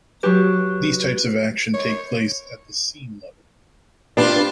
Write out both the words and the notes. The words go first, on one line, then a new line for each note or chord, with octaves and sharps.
These types of action take place at the "scene level".
F#3 G4 B4
C#5
C4 D4 F4 G4 B4